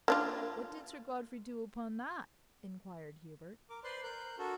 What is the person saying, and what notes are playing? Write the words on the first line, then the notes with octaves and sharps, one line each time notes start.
"What did Sir Godfrey do upon that?" inquired Hubert.
A#3 D4 F4
A#4 D6
B4 C5 D5 C6 F#6
A#4 F#6 G6
D4 F#4 A4 A#4